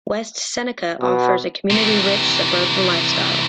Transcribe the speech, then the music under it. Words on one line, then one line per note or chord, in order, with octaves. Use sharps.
West Seneca offers a community-rich suburban lifestyle.
B2
C3 E3